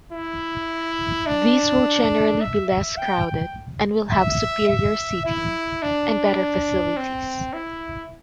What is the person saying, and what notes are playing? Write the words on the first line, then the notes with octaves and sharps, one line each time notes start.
These will generally be less crowded and will have superior seating and better facilities.
E4
D4
E5
E5
G5
G5
E5
E5
E4
D4
C4
E4